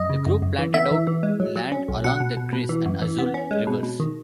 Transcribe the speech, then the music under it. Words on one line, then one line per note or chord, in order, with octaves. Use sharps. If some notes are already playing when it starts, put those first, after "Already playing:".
The group planted out land along the Gris and Azul rivers.
Already playing: F#2 D#5
C#3
F#2
F#2
E3
B3 E5
E3
E3
G#3
F#3
F#3
C#4
B1
B2 F#5
B2
B2
B2
E3
F#2
E3
B3
C#4
G#3
B2
B2
D#3